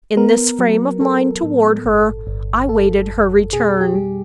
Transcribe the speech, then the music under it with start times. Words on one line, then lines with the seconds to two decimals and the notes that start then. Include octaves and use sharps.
In this frame of mind toward her, I waited her return.
0.17 B3 A#4
0.59 F#3
1.01 F#3 A4
1.43 A2
1.85 G1
2.27 G1
2.69 G1 A4
3.11 F2
3.53 B2 G#4
3.81 G4
3.95 G3